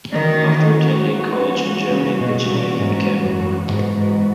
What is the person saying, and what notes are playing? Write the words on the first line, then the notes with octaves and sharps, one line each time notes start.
After attending college in Germany and Virginia, he became a lawyer.
D#3 E3 A#3 C#4 F#4
C#3
B2
A#2
G#2
F#2
G#2 E3 B3 F#4
G#2